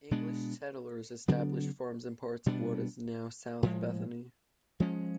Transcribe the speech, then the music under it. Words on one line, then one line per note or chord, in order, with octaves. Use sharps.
English settlers established farms in parts of what is now South Bethany.
B2 G#3 B3 D4
C#3 F#3 B3 D4
B2 G3 B3 D4
A2 F3 G#3
F3 G#3 C#4